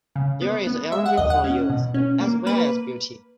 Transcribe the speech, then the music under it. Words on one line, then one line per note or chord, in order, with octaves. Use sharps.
There is every thing for use as well as beauty.
C#3
B3
B3
G#3 E5
F#5
D#2 D#5
F#5
C#4
B2
C#4
A#3
A#3 B4